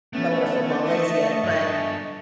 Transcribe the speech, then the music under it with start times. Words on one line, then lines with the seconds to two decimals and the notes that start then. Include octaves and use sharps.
know what a football is yet, but,
0.13 A3 B3 C#4
0.86 D#5 E5 A5 C#6
1.44 G2 A4